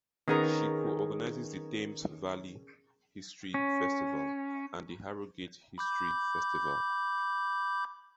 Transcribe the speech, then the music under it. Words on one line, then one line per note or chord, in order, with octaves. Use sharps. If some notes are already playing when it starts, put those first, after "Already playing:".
She co-organises the Thames Valley History Festival and the Harrogate History Festival.
D#3 B3 C#4 D#4 G#4 A#4
C#4
B5 D6 G6